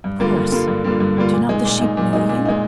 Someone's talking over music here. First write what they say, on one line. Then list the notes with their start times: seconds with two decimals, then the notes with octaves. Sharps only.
"Of course; do not the sheep know you?"
0.04 G2
0.20 D3 G3 A#3 F4
0.36 G2
0.52 D3 G3 A#3 F4
0.68 G2
0.84 D3 G3 A#3 F4
1.00 G2
1.16 D3 G3 A#3 F4
1.33 A#2
1.49 G#3 D#4
1.65 A#2
1.81 G#3 D#4
1.97 A#2
2.13 G#3 D#4
2.29 A#2
2.45 G#3 D#4